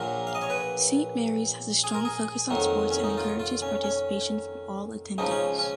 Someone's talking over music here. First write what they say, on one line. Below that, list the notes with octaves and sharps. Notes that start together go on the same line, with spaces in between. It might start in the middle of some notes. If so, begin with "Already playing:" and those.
Saint Mary's has a strong focus on sports and encourages participation from all attendees.
Already playing: A#1 A#2 F#3 A#3 A#4
F5
D#5
C#5
B4
G#4
A#4
G#4
F2 D#3 F#3 A#3
C#4
D#4
F4
F4
C#4
C#4
C#2 C#3 F3 D#4
C#4
C#4